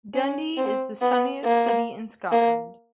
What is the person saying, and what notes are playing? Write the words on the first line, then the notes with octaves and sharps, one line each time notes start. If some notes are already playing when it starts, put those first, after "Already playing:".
Dundee is the sunniest city in Scotland.
C#4
C4
B3
A#3
A#3